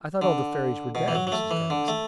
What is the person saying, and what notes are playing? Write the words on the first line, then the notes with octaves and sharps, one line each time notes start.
"I thought all the fairies were dead," Mrs. Darling said.
D3
B2
E3
F#3
F#3
A3
E3
D3
A3